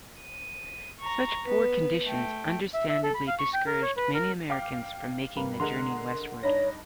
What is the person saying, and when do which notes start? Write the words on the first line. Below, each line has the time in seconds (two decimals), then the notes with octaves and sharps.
Such poor conditions understandably discouraged many Americans from making the journey westward.
0.20 D#7
0.99 A#5 C#6
1.45 B3 B4
2.05 A3 G5
2.74 E5
2.89 E5
3.03 A4
3.15 B5
3.27 F5
3.39 C#6
3.53 G5
3.66 A#4
3.82 C#5
3.97 B4
4.14 A#4
4.50 F5 G5 D6
5.37 G2 A#3 B4
5.60 D3 G#3 A#4 F#5 C6 F7
6.43 G2 D4 D#4 C#5 A#5 B5 A#6